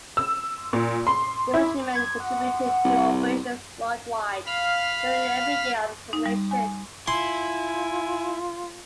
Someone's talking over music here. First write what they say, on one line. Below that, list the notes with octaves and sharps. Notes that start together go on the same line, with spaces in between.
The regiment contributed to operations world-wide during every year of its formation.
E6
A#2
C6
E4
G#6
F#5
C2
F5 B5 F6
D#4
G3
G#5
E4 F4 G#5 C6